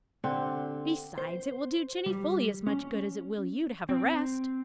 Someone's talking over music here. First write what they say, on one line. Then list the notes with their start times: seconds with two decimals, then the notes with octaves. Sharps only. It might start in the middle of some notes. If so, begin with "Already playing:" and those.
Besides, it will do Jinny fully as much good as it will you to have a rest.
0.24 D3 C4 G4
1.18 C5
2.06 G3
2.67 C#4
3.89 C4